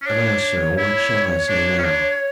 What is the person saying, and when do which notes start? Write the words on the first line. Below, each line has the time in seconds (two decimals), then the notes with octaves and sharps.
Alas, sir! what shall I say now?
0.02 C#4
0.06 D4 C#5
0.78 E4
1.49 D4
1.78 C#4
1.84 D4